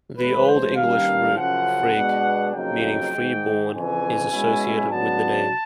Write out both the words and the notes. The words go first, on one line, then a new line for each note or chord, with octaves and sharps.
The Old English root "frig", meaning "free born", is associated with the name.
A2 E3 G#3 B4
C5
G2 D#3 G3 A#3 C#4 F5
F#2 C#3 F3 F#5
B2 G#3 B3 D4
F2 C#3 F#3 A#3 D#4 G5
G#2 D#3 G#3
F2 C#3 E3 G#5
B2 G#3 C#4 E4
C#3 F#3 B3 D4 A5